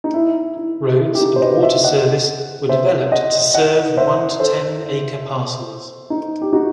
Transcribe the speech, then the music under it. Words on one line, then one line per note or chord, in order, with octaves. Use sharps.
Roads and water service were developed to serve one to ten acre parcels.
D#4
E4
E4
E4
G4
D#4 F#4
C5
B4 D#5
C5 E5
D#5 F#5
C5 E5
D#5 F#5
D#5 F#5
C5 E5
A4 C5
D#4
G4
D#4 F#4